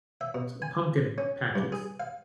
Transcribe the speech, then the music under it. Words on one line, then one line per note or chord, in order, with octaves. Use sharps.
s pumpkin patches.
E5
B2
G#5
C#4
G2
G#4
F5